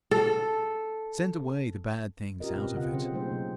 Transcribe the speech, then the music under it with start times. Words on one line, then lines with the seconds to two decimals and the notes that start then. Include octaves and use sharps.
Send away the bad things out of it.
0.11 A4
2.40 C#4 F4 G4 A#4 D#5
2.55 B2 C4 B4
2.75 C#3 C4 F4 D#5 F#5
2.93 C4 C#4 G#4 C5
3.12 F#3 A3 A#3 D#4 G#4 C5
3.32 C3